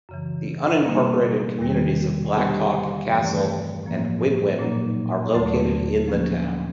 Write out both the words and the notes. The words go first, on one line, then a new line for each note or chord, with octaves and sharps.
The unincorporated communities of Black Hawk, Cassell, and Witwen are located in the town.
F#2 C#3 E3
B2 G3 A#3
E2 C3 D#3 G3
D3 G3 B3 D4 G4
G2 E3 A3 C4
A2 F3 A#3
A#2 F#3 A#3 D#4
D#2 D3 F#3 A3
F3 A#3 C#4